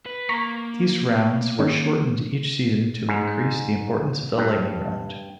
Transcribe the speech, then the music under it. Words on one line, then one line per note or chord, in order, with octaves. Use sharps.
These rounds were shortened each season to increase the importance of the Lightning Round.
B4
A#3 A#5 C#6 B6
D#3 C#4
G#2
G2